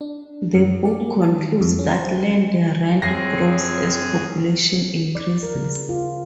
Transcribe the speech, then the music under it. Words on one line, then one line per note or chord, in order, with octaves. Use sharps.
The book concludes that land rent grows as population increases.
D4
F#2
D5
A#3
A5
D#3
F2
C#4
C5
F#2 C4 G#4 C#5 A#6 C7
D5
A#4
C#3
F4